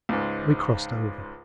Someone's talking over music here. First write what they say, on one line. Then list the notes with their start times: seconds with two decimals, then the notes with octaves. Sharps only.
We crossed over.
0.09 C#2 G#2